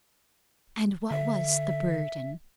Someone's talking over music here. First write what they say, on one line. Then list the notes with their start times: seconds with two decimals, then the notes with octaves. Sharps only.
And what was the "burden"?
1.11 D3 E5